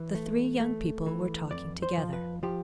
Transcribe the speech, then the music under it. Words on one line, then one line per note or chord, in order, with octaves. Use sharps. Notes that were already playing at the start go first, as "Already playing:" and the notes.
The three young people were talking together.
Already playing: E3
A3
A3
E3
F2 D5
C5
F3
B4
F3 G4